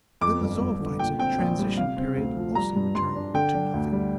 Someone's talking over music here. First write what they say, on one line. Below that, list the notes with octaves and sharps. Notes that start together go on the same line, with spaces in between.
Then the zoophytes of the transition period also return to nothing.
F2 D6
G1
G1
D3
A#2 G5
C4 G5
A#1
G3
C3 F5
C4
D2
F3
G3 A#5
G2
G2 C6
D4
D3 G5
D4
D2
G3